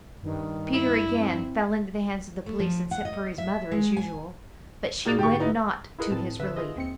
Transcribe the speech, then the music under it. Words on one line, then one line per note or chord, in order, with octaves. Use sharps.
Peter again fell into the hands of the police, and sent for his mother, as usual; but she went not to his relief.
G2 D#3
E4
C4
A3
F3
F#5
D#5
E5
G#3
G#5
A#2 A#3 D#4 F#4 G#4 A6
G#2 D3 G4 G5 C#6
B3 D#4 E4
E4 F4 G#4 A#4 B4 D#5
A2 C4 A5
D3 B4 E5 E6
F4 G#4 D#5
D#2 C4 C#7